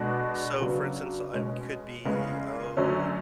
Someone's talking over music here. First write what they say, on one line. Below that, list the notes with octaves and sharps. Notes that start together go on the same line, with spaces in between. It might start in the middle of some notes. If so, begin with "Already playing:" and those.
so, for instance, I it could be, oh,
Already playing: B2 G#3 D4 F#4 A4
C#3 F#3 B3 D4
B2 G#3 C#4
E2 C#3 G#3 B3
F#2 D3 F#3 A3 C#4